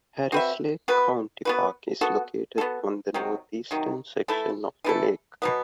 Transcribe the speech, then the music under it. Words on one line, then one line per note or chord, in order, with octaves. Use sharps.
Harris Lake County Park is located on the northeastern section of the lake.
C4 F#4 B4 E5
B3 F#4 B4
B3 F#4 B4
B3 F#4 A4
B3 F#4 A4
C3 D#3 F#3
C3 D#3 F#3
E3 A3 E4 A4
E3 A3 E4 A4
B2 F#3 B3